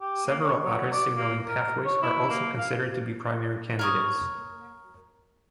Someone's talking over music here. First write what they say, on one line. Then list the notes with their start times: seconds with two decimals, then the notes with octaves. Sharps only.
Several other signaling pathways are also considered to be primary candidates.
0.01 G4
0.26 A#3
0.44 C#5
0.65 F#3
0.92 D5
1.17 A#3
1.47 A#4
1.85 C#5
2.02 E4
2.29 A#3
2.58 F5
3.79 A#4 C#5 D#6